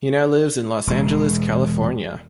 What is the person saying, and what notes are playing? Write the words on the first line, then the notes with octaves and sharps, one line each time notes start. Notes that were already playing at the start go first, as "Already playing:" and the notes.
He now lives in Los Angeles, California.
E1 G#3